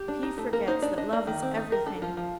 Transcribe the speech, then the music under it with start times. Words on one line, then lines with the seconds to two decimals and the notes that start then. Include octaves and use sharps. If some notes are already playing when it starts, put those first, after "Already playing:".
But he forgets that love is everything.
Already playing: G4
0.08 D4
0.23 D#4
0.38 A3
0.53 A#3 A#4
0.67 D#4 C5
0.82 D4 D5
0.98 D4 D#5
1.12 A#3 D5
1.27 D#3
1.42 C4
1.57 D#4
1.72 D#3 A#4
1.87 D4 A4
2.02 F3 F4
2.17 F3